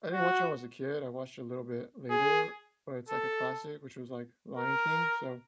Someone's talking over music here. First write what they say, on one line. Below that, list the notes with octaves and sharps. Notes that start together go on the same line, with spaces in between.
I didn't watch it when I was a kid, I watched it a little bit later, but it's, like, a classic, which was, like, Lion King, so,
F#4
G#4
A4
A#4